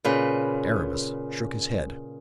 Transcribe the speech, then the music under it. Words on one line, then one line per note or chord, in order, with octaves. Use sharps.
Aramis shook his head.
A#2 C#3 B4